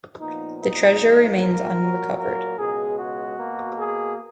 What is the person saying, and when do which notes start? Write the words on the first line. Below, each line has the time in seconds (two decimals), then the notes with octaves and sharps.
The treasure remains unrecovered.
0.19 A#2 F3 B3 D#4
0.59 D#4
0.99 G#2 F3 A#3
1.39 A#4
1.78 A#2 F#3 A#3
2.18 A#4
2.58 C#2 B2 G#3 G#4
2.99 F#4
3.38 B2 A#3
3.78 G#4